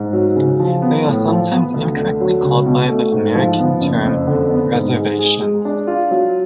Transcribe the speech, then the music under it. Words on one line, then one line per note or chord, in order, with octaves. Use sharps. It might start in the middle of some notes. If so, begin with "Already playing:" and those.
They are sometimes incorrectly called by the American term "reservations".
Already playing: G#2
F#3
C#3
F3
B3
A2
F3
B3
D2
D3
F#3
C#2
B2
A3
G#2
F3
B3
F#1
F2
D3
B3
G#2
G#3
G#4
G#3
D4
F4
F#3